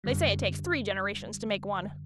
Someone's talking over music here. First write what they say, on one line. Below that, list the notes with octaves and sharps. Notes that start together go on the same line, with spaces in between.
They say it takes three generations to make one.
F#2 D3 G3